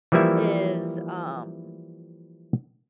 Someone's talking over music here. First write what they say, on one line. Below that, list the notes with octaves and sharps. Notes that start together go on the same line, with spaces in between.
is, um
E3 F3 G3 A#3 E4 E5